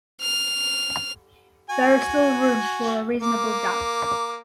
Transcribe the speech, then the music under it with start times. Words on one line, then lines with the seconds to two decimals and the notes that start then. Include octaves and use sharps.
There is still room for a reasonable doubt.
0.21 F6
1.70 F#4 G#5
3.22 A#3 D6